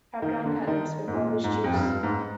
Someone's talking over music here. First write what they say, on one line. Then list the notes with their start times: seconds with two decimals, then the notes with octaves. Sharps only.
Her grandparents were Polish Jews.
0.22 D#3
0.46 D3
0.68 D#3
1.08 G#2
1.13 A#2
1.44 G#2
1.64 F2
1.74 G2
2.03 G#2